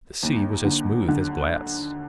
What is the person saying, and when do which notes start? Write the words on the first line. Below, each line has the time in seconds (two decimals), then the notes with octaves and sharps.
The sea was as smooth as glass.
0.23 D#2
0.65 D3
1.08 D3